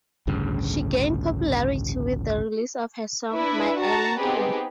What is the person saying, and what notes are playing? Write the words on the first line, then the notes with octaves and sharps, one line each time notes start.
She gained popularity with the release of her song "My Island Home".
A1 D2 G2 C#3
D4 E4 B4 E5
F#4 A5 A#5
B3 C4 D#4 G4 G#4 B4